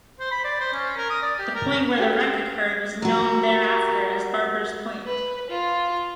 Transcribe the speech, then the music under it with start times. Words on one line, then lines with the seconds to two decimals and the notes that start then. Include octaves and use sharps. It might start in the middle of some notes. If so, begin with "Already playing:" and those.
The point where the wreck occurred was known thereafter as Barbers Point.
0.20 C5
0.31 B5
0.44 D5
0.61 C5
0.73 C#4
0.97 A#4
1.10 D#6
1.23 D5
1.39 G4
1.55 A#4
1.97 C#4 F#4 G4 A4 G5
3.02 E4 F#4 G4 A#4 A#5
5.06 B4
5.50 F4